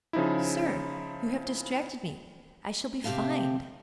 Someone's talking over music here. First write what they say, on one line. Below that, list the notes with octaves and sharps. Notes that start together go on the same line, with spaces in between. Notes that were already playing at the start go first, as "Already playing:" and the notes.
"Sir, you have distracted me; I shall be fined."
C#3 F3 D#4 E4
C3 C4 G4 E5 F5 A5